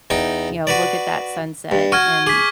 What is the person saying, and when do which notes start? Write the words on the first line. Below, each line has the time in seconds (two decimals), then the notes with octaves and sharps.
you know, look at that sunset and
0.10 E2 D#4 G5
0.67 F#4 B4 D5
1.72 G2
1.92 F#4 C#6 F6 G#6
2.27 G#4 D6 B6